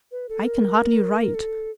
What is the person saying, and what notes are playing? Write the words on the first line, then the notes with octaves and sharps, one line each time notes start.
I can hardly write.
B4
A4
A#4
A4